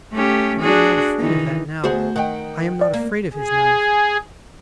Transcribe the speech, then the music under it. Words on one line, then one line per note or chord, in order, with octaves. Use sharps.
But I am not afraid of that now, I am not afraid of his knife.
A3 C#4 G4
D4 F#4 G#4
D#3 E3 D#4
D2 B3 F#4 G#4 C5
D#3 D#4 F#5 G5
D5
A#3
G#4